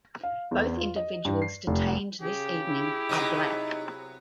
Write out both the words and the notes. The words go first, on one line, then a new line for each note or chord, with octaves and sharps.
Both individuals detained this evening are black.
F5
E2
F4
D#5
G2
C7
F1
C#3 G4 G#4
E4 G#4
C3 F#3 B3 D#4